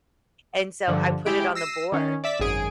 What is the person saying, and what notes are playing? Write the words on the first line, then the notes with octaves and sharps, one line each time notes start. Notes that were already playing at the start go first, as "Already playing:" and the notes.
And so I put it on the board.
G2 D3 F3
G#3 E4 G4 D7
E6 A#6 C7 D#7 E7
D#3 C#4
D5 E5 B6
G#1 F#2 G#4 D7